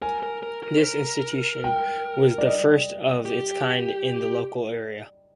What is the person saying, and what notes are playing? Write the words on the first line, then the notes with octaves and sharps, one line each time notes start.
This institution was the first of its kind in the local area.
A#4 G#5
A#4
A#4
A#4
C5
A#4
G5
D5
D#5
G4